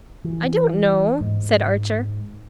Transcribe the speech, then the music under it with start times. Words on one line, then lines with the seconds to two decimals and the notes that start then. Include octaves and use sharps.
"I don't know," said Archer.
0.24 E3
1.21 G#2